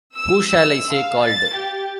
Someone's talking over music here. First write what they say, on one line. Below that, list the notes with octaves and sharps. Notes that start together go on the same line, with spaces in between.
Who shall I say called?
E6
E6
F5
A6
G4